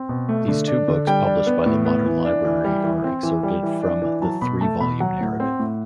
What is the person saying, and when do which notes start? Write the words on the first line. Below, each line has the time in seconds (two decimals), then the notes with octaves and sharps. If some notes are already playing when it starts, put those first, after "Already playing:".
These two books published by the Modern Library are excerpted from the three-volume narrative.
Already playing: C4
0.09 B2
0.29 A3
0.48 D3
0.68 D4
0.88 D3
1.07 G3 G5
1.26 D4
1.46 B3
1.66 A2
1.85 B3
2.06 E3
2.25 D4
2.45 E3
2.64 G3
2.84 E3
3.04 C4
3.23 E3
3.43 G3
3.63 E3
3.82 D4
4.02 E3
4.22 F#3 A5
4.41 B2 B5
4.61 A3 A5
4.80 B2 B5
5.00 F#3 F#5
5.21 A2
5.40 C4
5.59 A2